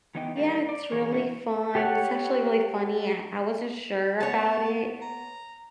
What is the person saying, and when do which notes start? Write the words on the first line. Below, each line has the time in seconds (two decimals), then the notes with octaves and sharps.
Yeah, it's really fun, it's actually really funny. I I wasn't sure about it,
0.15 E3 B3 D#4 D#5 G5
0.36 A2 D#3 G3 A#3
0.69 D5
0.92 B2 E3 G#4 C#5
1.11 C3 A3 C#4 E4 F#4
1.75 G4 A4 C#5 F#5
4.21 B3 C#5 A5
5.02 A#5